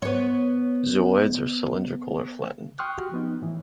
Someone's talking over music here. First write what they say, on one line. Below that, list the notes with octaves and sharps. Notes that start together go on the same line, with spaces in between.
Zooids are cylindrical or flattened.
B3 C#5
G5 C6 C#6 D#6 F6 F#6
F#4 G4
F3 B3 D#4
A2 E3